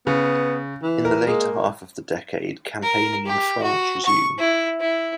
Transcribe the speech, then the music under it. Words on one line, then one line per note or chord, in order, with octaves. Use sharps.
In the later half of the decade campaigning in France resumed.
C#3 B3
E3
A#4
G#3 A#3
A#4
G4
F#4
C#6
E4
E4